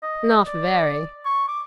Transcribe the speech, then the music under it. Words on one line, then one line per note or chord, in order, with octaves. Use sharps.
"Not very."
D#5
D5
C#6
D6